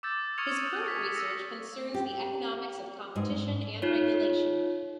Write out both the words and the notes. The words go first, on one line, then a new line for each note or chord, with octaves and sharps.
His current research concerns the economics of competition and regulation.
D6 E6 G6 A6
C#6 D#6 F6 G#6 C#7 F7
F#7
B6
E6 A#6 C#7
G4
G#2
D#4 F4 C#5